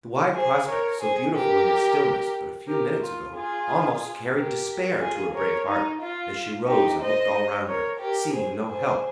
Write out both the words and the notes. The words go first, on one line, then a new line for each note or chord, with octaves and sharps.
The wide prospect, so beautiful in its stillness but a few minutes ago, almost carried despair to her brave heart, as she rose and looked all round her, seeing no help.
G#4 C5
A#4 C#5
G#4 C5
G4 A#4
G4 A#4
F4
F4 G#4
G4 A#4
F4 G#4
A#4 C#5
D#4
F4
D#4 G4
C5 D#5
A#4 C#5
G4 A#4
G#4 C5
G#4 C5